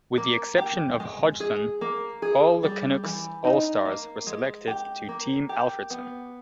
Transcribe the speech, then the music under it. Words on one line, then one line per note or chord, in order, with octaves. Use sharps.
With the exception of Hodgson, all the Canucks All-Stars were selected to Team Alfredsson.
A#3
G4
G#3
G#4
A#3
G#4
G3
E3
D#4
A#3
G#3
G4
A#3
G4
B3